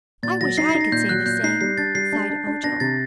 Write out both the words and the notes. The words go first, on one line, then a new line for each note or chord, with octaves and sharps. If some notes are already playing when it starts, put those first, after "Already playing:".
"I wish I could say the same," sighed Ojo.
A#2 A6
F#3 A#6
D#4 C7
C7
D#4
A#6
A#2 G6
F#3 F#6
A#2 G6
D#4 C7
G3 C7
D4 A6
G3 C7
D4
D4
D4
D4 A#6
C3 A6